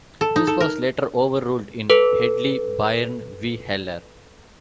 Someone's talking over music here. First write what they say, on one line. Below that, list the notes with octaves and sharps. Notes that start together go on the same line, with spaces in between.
This was later overruled in "Hedley Byrne v Heller".
A4
D#4
A4
A#4
A4 B4